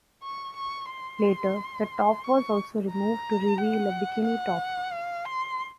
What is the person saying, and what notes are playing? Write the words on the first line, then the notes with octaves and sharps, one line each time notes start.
Later, the top was also removed to reveal a bikini top.
C#6
C#6
C6
C#6
A#5
F#5
F#5
F5
C6